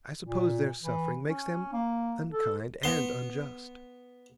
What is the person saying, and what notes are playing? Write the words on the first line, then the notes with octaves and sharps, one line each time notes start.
I suppose their suffering makes them unkind and unjust.'
A#2
E3
C#4
A#3
A4
B3 C6